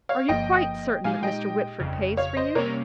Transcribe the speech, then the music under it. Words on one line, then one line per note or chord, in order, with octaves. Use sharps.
"Are you quite certain that Mr. Whitford pays for you."
C#5 F5
G1 G2 F3 A#3 D#5 G5
A#2 G#3 D#4 G4 F5 G#5
D#5 G5
G1 F2 C#3
C#5 F5
C5 D#5
C3 G3 A#3 C#4 A#4 C#5